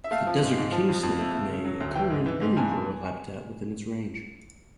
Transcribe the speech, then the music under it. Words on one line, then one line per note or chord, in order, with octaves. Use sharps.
The desert kingsnake may occur in any rural habitat within its range.
E5
A3 F5
F3
G#2
G#2
F3
F2
F2
A3
A3
C#3
F#3
D2
E3 G5
G#2
E3
G#2
G2 G#5
G2